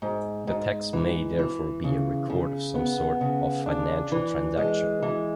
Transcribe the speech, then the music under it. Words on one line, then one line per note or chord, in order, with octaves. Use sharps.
The text may therefore be a record of some sort of financial transaction.
G#2
G#2
E3
E3
C#3
C#3
B3
C#3
D4
E3
G#3
E3